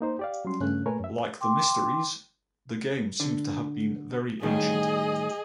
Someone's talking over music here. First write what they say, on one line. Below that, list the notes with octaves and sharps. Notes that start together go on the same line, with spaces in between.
Like the Mysteries, the games seem to have been very ancient.
A#3 D#4 C5
G4 D5 F5
F#3 G3 C#4 C6
G2 C#3 A3 C#4 F#6
A#2 A3 A#4 B4 C#5 G#5
F#2 E5
G5 C6 D6
D3
A2 D#3 G3 G#4 D#5